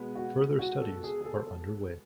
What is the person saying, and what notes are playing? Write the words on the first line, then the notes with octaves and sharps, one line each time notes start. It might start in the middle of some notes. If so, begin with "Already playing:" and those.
Further studies are underway.
Already playing: B2 G#3 B3
F#4
F#4
A4
G#4
G#4
A4
A4